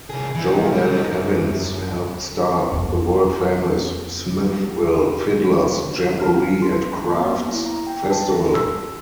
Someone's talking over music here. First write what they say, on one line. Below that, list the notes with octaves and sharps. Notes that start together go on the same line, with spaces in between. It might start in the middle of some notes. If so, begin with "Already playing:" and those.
Joe L. Evins helped start the world famous Smithville Fiddler's Jamboree and Crafts Festival.
C2 G#4
E3 B3
G3
F#3 D#4
F#2
F2 B3
F6
C6
C6
A#3
B3
E4
A#5
G5
A5
A4
E6